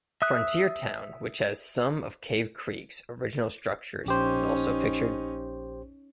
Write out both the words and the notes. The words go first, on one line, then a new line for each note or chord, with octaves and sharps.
Frontier Town which has some of Cave Creeks original structures is also pictured.
E5 D#6 F#6
A#1 C#4 D#4 G4 C5